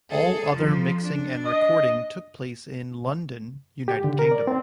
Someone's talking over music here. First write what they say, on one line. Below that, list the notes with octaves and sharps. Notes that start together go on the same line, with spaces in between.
All other mixing and recording took place in London, United Kingdom.
G#4 A4
F2 F3
D4
D#5
G4
D3
A#4
D5
C4